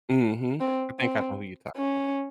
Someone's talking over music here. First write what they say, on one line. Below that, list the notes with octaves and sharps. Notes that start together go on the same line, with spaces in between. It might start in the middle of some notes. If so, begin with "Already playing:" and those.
Mhm. I think I know who you're talking about.
C4
C4
C#4